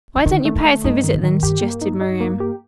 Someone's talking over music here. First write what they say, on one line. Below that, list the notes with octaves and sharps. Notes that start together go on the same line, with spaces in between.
"Why don't you pay us a visit, then?" suggested Miriam.
D#3
D3 D#3
A3
D3
A3
G2 D#4
D#3
A2
D#3
G2 G4
A#3
D#4
D#4
A#3
G4